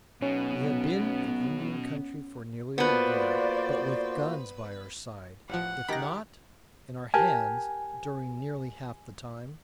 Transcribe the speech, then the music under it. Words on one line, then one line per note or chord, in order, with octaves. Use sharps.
We had been in Indian country for nearly a year, but with guns by our side, if not in our hands, during nearly half the time.
B1 B2 B3 C#4
A#3 B3 F4 F#4 B4 C5 D5
A1 F3 F#5
D#3 G4 B5 F#6 A#6
G4 A#4 G#5 A5